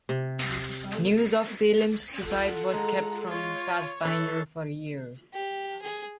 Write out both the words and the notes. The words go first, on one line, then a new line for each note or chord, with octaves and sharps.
News of Salem's suicide was kept from Fassbinder for years.
C3
F4 A4 F#5
G#3 A#5
F4 C#5
E3 A4
G4
G#4